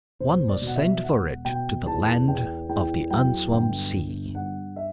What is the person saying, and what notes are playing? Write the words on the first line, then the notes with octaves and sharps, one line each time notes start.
One must send for it to the land of the unswum sea.
E1 C5
D5
B2
F#5
E5
E1 F#5
B2 G5
E2 A5
E2 G5
E2 G5
F#3 G5
G1 G5
G1
G2 F#5
E5